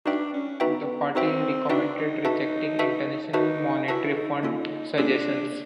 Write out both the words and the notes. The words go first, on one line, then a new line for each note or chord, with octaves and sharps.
The party recommended rejecting International Monetary Fund suggestions.
D4 D#4 F#4 B4 E5 G5
C#4
B3 D#4 F#4 B4 E5 G5
C4 D#4 F#4 B4 E5 G5
D4 D#4 F#4 B4 E5 G5
D#4
F#4 B4 E5 A5
F#4 B4 E5 A5
D#4 F#4 B4 E5 A5
E4 F#4 B4 E5 A5
D#4
A#3 C#4 F4 A4
A#3 C#4 D4 F4 A4